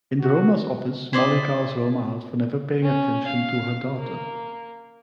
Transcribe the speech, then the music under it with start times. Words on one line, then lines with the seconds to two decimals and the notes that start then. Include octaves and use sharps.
In Roma's office, Molly calls Roma out for never paying attention to her daughter.
0.20 F#4
1.13 E4 C5 D5 D#5
2.82 C#4
3.27 F5
3.96 A#3